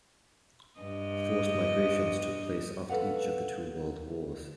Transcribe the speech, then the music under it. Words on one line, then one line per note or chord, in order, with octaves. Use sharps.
Forced migrations took place after each of the two world wars.
G2 D#5
A4 B4 F5 F#5